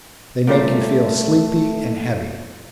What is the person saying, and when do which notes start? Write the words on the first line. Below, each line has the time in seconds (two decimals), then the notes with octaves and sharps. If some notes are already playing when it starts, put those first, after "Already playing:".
They make you feel sleepy and heavy.
0.47 A#2 G3 A3 C5